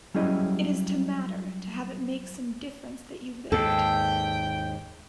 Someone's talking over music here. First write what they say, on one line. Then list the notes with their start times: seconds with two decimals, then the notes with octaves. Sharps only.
It is to "matter," to have it make some difference that you lived.
0.15 F#3 G3 C#4 E4 G#4 D#5
3.52 D#2 G#2 A4 G5